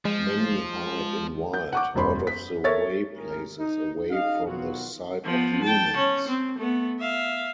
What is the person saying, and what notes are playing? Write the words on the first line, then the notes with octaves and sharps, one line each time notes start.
Many hide in wild, out-of-the-way places away from the sight of humans.
F3 G#3
G6
F#5 C#6 D6
E1 F#2 C5 B5 C6
B6
A4 A#4 C#5 E5 C#6 A6
G#1 A2 G#4 A#4
D#4
D#4 G#4 D#5 F5
B2 D#3 F#3 B3 F4 F#4
F3 B3
G5 A5
C#4
C4
A3 B3
E5 F5